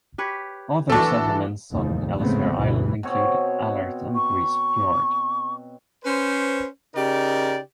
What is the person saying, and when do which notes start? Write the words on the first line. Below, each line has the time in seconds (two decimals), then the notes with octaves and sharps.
Other settlements on Ellesmere Island include Alert and Grise Fiord.
0.18 G4 B4 C#5
0.90 E3 A3 D4 F#4 A4 A5
1.71 F1 D#2 G#2
2.19 A2 C#3 G#3 A3 B3 C4
2.53 D2 G2 B2 E3
3.03 B2 C4 C#5
4.15 C#6
6.05 C#4 B4 C5
6.95 C#3 D#4 G4 A#4 D5